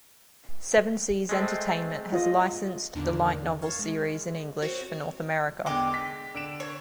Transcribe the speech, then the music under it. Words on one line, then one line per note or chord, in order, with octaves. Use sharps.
Seven Seas Entertainment has licensed the light novel series in English for North America.
G#3 A3 C4
F4 D#5
E2 A2 D3 D#3 A#3 D4
C#5 F5 A5
G#3
C4 F#4 C#5
E2 D3 G#3 G4
B6
D3 D7 E7
C#5